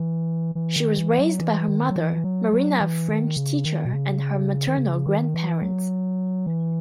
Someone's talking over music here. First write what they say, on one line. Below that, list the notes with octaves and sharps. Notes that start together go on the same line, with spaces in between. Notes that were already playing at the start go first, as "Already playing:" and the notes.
She was raised by her mother, Marina-a French teacher-and her maternal grandparents.
Already playing: E3
E3
D#3
E3
F#3
E3
D#3
F#3
E3
F#3
F#3
E3
D#3
C#3
D#3
B2
C#3
D#3
C#3
D#3
E3
F#3
E3